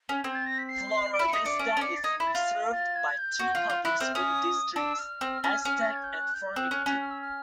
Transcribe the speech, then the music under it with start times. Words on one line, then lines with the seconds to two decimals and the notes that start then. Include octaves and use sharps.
Flora Vista is served by two public school districts - Aztec and Farmington.
0.09 C#4
0.24 C4 G#6
0.35 A6
0.46 A#6
0.58 B6
0.69 C7
1.14 D7
1.19 E4
1.29 D#4 C#7
1.44 D4 C#7
1.59 C#4 D7
1.77 C#4
1.81 D4 C#7
1.96 A6
2.04 D#4 G#6
2.20 E4
2.27 A6
2.35 F4
2.73 A6
2.95 G#6
3.18 G6
3.39 F#4
3.55 F4
3.70 F4
3.85 E4 F#6
4.00 C4 F6
4.15 C#4 D#6
4.75 D4 E6
4.99 F6
5.21 C4
5.44 C#4
5.65 C#4
5.82 A#6
5.90 A6
5.96 G#6
6.03 G6
6.11 F#6
6.34 G6
6.56 C4 F#6
6.71 C#4
6.86 C#4
7.01 F6
7.11 E6
7.22 F6